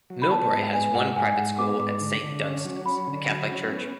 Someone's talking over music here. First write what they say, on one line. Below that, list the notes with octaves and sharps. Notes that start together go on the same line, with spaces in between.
Millbrae has one private school at Saint Dunstan's, a Catholic church.
F#3
B5
B3 A5
G#2
B3 G#5
G#2 F#5
G#2 G#5
G#2 F#5
B3 D6
G#2 D6
D3
D3
C#4
F#3
C#4 B5
D3
F#3
C#4
B3